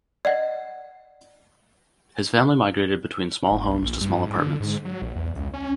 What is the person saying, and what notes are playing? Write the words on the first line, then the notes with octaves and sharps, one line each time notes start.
His family migrated between small homes to small apartments.
D5 D#5 F#5
F1
B1
A#1
G2
G#2
D3
G#2
F#3
A#1
E2
C#2
C#4